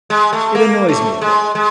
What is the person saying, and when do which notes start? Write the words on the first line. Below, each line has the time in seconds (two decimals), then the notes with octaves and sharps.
It annoys me a bit.
0.10 G#3
0.33 A3
0.55 A#3
0.88 A3
1.21 G#3
1.55 G#3